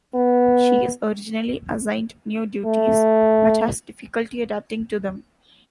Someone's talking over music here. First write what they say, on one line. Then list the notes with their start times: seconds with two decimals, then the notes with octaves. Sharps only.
She is originally assigned new duties, but has difficulty adapting to them.
0.15 B3
2.66 A3